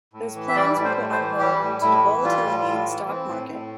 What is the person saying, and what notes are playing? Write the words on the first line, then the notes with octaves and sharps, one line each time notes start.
Those plans were put on hold due to volatility in the stock market.
A2
E3
E5
G3 D5
A2
C5
A2
C5
E3
G3 G4
A2
A2 E4
E3
G3 F4
A2
A2
E3
C4
A2
A2